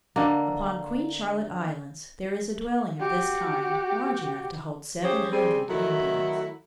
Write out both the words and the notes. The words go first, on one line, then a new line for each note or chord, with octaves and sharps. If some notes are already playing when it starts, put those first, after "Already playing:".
Upon Queen Charlotte Islands there is a dwelling of this kind large enough to hold seven hundred Indians.
D3 A#3
F#4 G4
C#4 G4 G#4 C5
G3 C4 G#4
D#3 F#3 A3 E4 F#4 A4